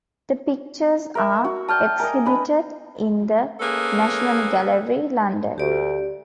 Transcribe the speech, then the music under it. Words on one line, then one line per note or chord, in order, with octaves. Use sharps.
The pictures are exhibited in the National Gallery, London.
A#4 E5
F#4
D5 G5 A5 F6 G6
A#4 D#5 G#5
D4 B4 D#5
A#3 C#4 G#4 A4 B4
D2 G4 D5